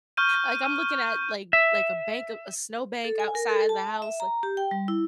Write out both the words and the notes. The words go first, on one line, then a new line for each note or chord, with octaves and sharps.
like, I'm looking at, like like a bank of a snow bank outside the house, like
C#6 F6 G6 D#7
E5
A4
G#5
A#4
A4
A5
E5
A#5
G4
G5
G3
E4